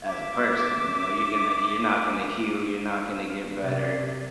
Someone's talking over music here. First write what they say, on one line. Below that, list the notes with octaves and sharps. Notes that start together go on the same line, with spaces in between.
as a person, you know? You're gonna you're not gonna heal. You're not gonna get better.
E5 D6
C3 D5